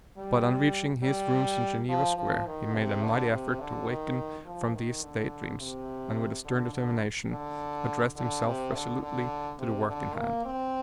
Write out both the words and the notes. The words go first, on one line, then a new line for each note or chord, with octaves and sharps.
But on reaching his rooms in Geneva Square he made a mighty effort to waken from these day dreams, and with a stern determination addressed himself resolutely to the work in hand.
G3
G3
F3
F3
D#3
C3
D3
C3
D3
D#3
F3
D#3
D3
C3
D3
D3
D3
D3
C3
D3
D3
C3
D3
A#3
C4